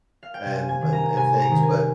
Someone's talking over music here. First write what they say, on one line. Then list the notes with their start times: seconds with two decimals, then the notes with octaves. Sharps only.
and and and things, but
0.23 F5
0.34 G5
0.45 C3 G#5
0.69 G#5
0.81 D#3
0.93 A#5
1.16 C3 G#5
1.39 A#5
1.51 D#3
1.63 G#5